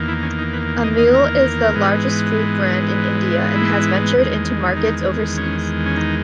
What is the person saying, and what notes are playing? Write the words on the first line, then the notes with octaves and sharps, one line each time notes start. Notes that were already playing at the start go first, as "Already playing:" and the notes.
Amul is the largest food brand in India and has ventured into markets overseas.
Already playing: E2 D#3 A#3
E4
C#4
D#4
B4
D#5
D#5
A#4
G#2 E3 G#3 B3
E4
E2 D#3 G#3
D#4
C#4
C#4
D#4